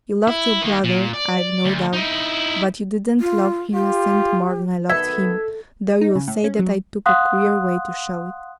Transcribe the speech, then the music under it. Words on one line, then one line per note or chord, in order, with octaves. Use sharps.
You loved your brother, I've no doubt; but you didn't love him a cent more than I loved him, though you'll say that I took a queer way to show it.
E4
D#3 A#3
A#2
D5
D2
D#4 E4
F4
F4 G4
B1 D#3 B3 A4 E5 G#6
D#4
C#3
A2
C#4
F#3
F5 F#5 C6 D#6 F#6